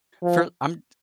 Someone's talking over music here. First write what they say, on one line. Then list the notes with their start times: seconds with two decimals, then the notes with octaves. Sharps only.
for I'm
0.23 F3